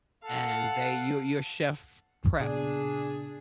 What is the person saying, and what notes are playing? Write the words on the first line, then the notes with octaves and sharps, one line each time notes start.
and they you're you're chef prep.
A4 F5 F#5
A#2 C#3 B3 D4 G#4